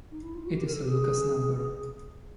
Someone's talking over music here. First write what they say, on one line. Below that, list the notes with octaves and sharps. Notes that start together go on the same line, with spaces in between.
It is a Lucas number.
D#4
E4
F4
F#4
G4
A#4
A4
G4
G#4